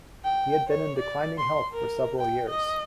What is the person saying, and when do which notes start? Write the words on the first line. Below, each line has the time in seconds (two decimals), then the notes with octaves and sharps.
He had been in declining health for several years.
0.24 G5
0.68 C#5
0.98 D5
1.38 C6
1.73 A#4
2.19 G5
2.49 D#5